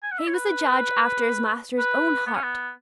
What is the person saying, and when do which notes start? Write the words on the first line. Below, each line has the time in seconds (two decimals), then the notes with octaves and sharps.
He was a judge after his master's own heart.
0.03 G#5
0.12 F#5
0.18 E5
0.27 C#5
0.34 B4
1.78 B4
2.26 B3
2.35 C#4
2.43 B3